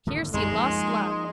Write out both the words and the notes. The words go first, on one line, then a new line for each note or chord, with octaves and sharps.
Here see lost love.
A2 D3 A3
F#2 G#3 D#4 D#5 C6
F3 A#3